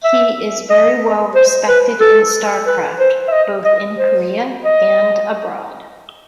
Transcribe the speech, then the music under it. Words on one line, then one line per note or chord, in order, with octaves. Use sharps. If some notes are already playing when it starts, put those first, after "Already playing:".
He is very well respected in StarCraft both in Korea and abroad.
E5
D#5
C5
B4
A4
B4
C5
E5
D#5
D#5
C5
D#5